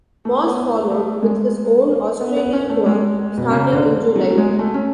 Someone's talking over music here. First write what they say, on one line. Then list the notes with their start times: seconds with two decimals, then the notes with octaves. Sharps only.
Moss followed with his own Australian tour starting in July.
0.25 A3
0.47 B3
0.69 A3
0.90 A3
1.22 G#3
2.21 B3
2.37 B3
2.53 C#4
2.69 A3
2.86 G#3
3.37 B2
3.51 C#3
3.72 D3
4.16 F#3
4.30 F#3
4.38 G#3
4.59 A3
4.74 C#4